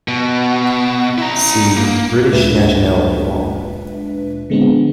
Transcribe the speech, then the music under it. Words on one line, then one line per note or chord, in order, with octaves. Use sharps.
See "British nationality law".
B2
E4 A#5
A#3
D2 A#2 G#3 D4 B4 E5
D3 F3 G#3 B3 C4 D4